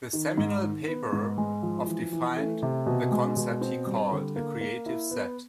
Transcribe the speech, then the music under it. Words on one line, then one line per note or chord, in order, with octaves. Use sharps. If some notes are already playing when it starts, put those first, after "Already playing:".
The seminal paper of defined the concept he called a Creative set.
D#3
G#2
D#3
B3
G#2
G#3
F3
E3
E3
A3
C3
B2
G#3
B2
C4
G3
D3
A#3
A#3
E4
B3